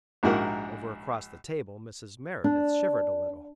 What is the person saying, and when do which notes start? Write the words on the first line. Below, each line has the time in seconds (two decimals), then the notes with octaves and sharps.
Over across the table Mrs. Merideth shivered a little.
0.23 A#1 G#2 E4 F#4 G4 A#4
2.44 D4